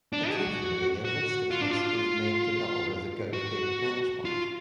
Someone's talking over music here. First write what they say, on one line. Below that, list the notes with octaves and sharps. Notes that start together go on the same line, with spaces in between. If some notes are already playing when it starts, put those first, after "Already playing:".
Occasionally a vesta case was made to double as a go-to-bed matchbox.
D4
G#4
F#4
F#4
F4
D4
F4
F#4
F4